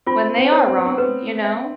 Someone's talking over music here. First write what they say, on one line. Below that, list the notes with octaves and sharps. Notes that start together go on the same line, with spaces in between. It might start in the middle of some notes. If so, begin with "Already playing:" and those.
when they are wrong, you know?
C4 F4
C4
C#5
C4
B3
C4
B3 B4
E5